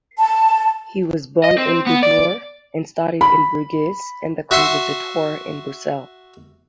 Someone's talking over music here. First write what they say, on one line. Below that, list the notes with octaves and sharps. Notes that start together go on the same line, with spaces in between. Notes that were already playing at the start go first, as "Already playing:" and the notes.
He was born in Bordeaux and studied in Bruges and the conservatoire in Brussels.
A5
D#5
C4
B3
D5
B5
F#4 E5 F#5 C6